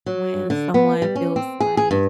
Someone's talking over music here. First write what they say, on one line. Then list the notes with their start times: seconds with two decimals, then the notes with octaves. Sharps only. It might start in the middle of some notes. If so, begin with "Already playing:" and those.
when someone feels like
0.06 F#3
0.50 D3
0.74 B3
1.02 G3
1.16 C#4
1.36 C4
1.60 G#4
1.77 G#4
1.91 G2